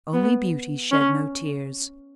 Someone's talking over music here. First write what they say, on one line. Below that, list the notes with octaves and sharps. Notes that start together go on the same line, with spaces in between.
Only Beauty shed no tears.
B3
C#4